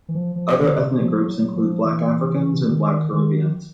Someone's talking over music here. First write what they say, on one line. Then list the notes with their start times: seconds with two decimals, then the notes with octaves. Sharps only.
Other ethnic groups include Black Africans and Black Caribbeans.
0.09 E3
0.15 F3
0.36 F3
0.62 D#3
0.70 D3
0.78 C#3
1.00 F3
1.28 F#3
1.56 F3
1.85 E3
2.69 D#3
3.13 D#3